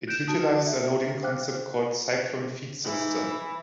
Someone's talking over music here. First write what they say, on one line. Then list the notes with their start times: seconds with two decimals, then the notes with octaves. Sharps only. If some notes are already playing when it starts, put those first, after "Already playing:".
It utilizes a loading concept called the "Cyclone Feed System".
0.08 F#6 G6 D7 E7
0.28 F#4 A5 D#6
0.66 E5
1.23 C5 F5 G5 D6 F6 F#6
2.85 E3 D#4
3.30 B5